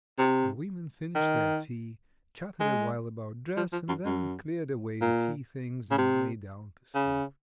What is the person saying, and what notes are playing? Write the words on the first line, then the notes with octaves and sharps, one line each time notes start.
The women finished their tea, chatted a while about dress, and then cleared away the tea-things and lay down to sleep.
C3
D#3
G#3
F3
F3
F#2
F#2
A#2
C#3
C3
C#3